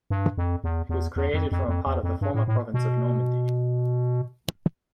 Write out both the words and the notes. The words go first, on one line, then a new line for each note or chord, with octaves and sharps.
It was created from a part of the former province of Normandy.
G2
F2
E2
E2
E2
F2
F2
F2
E2
F2
G2
A2
A2
B2